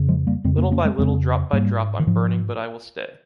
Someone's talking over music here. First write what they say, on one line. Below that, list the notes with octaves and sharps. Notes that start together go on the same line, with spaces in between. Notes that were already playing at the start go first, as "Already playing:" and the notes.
Little by little drop by drop I’m burning but I will stay.
Already playing: F2 C#3
F3 G#3
G3 A#3
F2 C#3 G#3 C4
A#3 C#4
A#3 C#4
G#3 C4
F2 C#3 G#3 C4
G#2 G3 A#3
D#3
G#2 F3